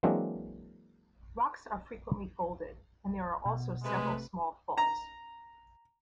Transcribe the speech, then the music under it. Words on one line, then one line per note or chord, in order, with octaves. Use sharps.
Rocks are frequently folded, and there are also several small faults.
E3 F#3 G#3 A#3 C4 D4
B2
C3 G#3 A3 B4
A#5